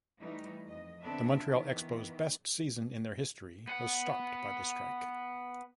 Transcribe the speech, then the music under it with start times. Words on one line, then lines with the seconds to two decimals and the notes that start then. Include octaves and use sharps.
The Montreal Expos' best season in their history was stopped by the strike.
0.19 E3 G3 A3 D#4
0.67 F2 D#5
1.02 D3 B3 C4 D4 A4 E5
1.47 D#3 E3 B3
3.68 B3 F#5